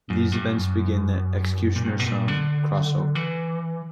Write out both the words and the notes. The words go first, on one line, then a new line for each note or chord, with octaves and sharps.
These events begin the "X-Cutioner's Song" crossover.
F#2
G2
F#2
A#2
G2
B2
A#2
D3
E3